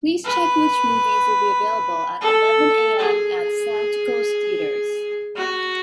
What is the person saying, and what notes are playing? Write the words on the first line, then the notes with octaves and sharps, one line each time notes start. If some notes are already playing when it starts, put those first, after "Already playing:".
Please check which movies will be available at eleven A.M. at Santikos Theatres?
B4
A4
G#4
F#4